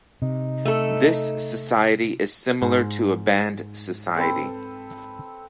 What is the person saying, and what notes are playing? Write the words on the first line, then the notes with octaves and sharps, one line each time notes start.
This society is similar to a band society.
C3 D#4
A3 A4
G#2
C4 A4 B4